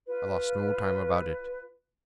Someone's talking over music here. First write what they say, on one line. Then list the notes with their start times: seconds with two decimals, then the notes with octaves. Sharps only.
I lost no time about it.
0.06 F4 B4